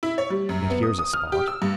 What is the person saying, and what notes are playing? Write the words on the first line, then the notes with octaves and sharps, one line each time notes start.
Yet here's a spot.
E4
C#5
G3
F#2
B3
D#6
D#6
F6
G4
E6
G2